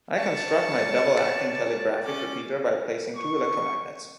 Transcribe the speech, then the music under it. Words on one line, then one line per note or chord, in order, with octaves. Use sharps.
I construct my double-acting telegraphic repeater by placing two electromagnets.
D5 A5 C#6
C#5
C#4 D6
C#6